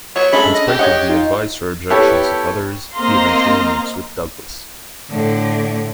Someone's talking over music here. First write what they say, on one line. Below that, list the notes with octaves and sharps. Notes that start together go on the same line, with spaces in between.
In spite of the advice or objections of others, he eventually meets with Douglas.
F#3 B3 C#5
G#3 A3 C#4 D4 G#4 A4 B5
D#5
G4
C#5 D#5 F#5
D#4 F4
B3 E4 G4 A4 C#5
A#3 C4 D#5 F5 A#5 C6
A2 D3